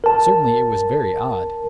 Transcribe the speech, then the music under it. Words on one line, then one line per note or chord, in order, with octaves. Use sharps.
Certainly it was very odd.
A#4 A5